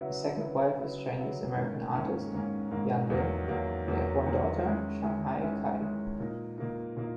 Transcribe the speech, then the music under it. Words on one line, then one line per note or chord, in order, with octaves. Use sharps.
His second wife is Chinese-American artist, Yan Lin; they have one daughter, Shanghai Kaye.
C#3 F#3 B3 E4
C#3 F#3 B3 E4
C#3 F#3 B3 E4
C#3 F#3 B3 E4
G#2 D#3 A#3 C#4
G#2 D#3 A#3 C#4
G#2 D#3 A#3 C#4
G#2 D#3 A#3 C#4
E2 D#3 F#3 A#3
E2 D#3 F#3 A#3
E2 D#3 F#3 A#3
E2 D#3 F#3 A#3
D#3 G#3 C#4 E4
D#3 G#3 C#4 E4
D#3 G#3 C#4 E4
D#3 G#3 C#4 E4
A#2 A#3 D#4
A#2 A#3 D#4
A#2 A#3 D#4